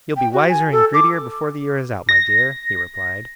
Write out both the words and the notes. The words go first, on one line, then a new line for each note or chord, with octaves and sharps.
"You'll be wiser and greedier before the year is out, my dear," he replied.
G5
F#4
G#5
A4
D6
A#6